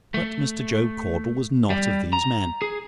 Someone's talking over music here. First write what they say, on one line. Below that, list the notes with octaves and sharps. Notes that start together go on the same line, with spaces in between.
But Mr. Job Caudle was not of these men.
A3
G3
A#5
G#4